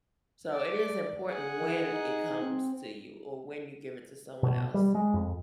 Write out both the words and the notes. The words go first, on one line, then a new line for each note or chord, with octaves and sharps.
so, it is important when it comes to you, or when you give it to someone else.
D5
G#4 F#5
E3
D#4
C4
B2
G3
G#3
F2